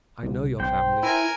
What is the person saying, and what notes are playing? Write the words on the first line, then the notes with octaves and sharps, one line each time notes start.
I know your family.
C2
B1 C5 G5
E4 A#4 G#5